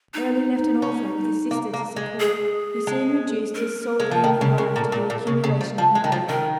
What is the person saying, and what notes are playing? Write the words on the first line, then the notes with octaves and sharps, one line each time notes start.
Early left an orphan with a sister to support, he soon reduced his sole aim in life to the accumulation of money.
D#4
C#4
A#3
A#3
G#3
G#4
G#3
A#4
G#3
F3
D#3
C#3
C#3
A#2
A#2
A#2
C#3
C#3
F3
F3
G#3
D#3
F3
D#3 A#4